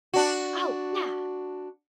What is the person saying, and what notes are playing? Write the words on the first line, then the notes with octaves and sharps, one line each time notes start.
Oh, yeah!
D4 F#4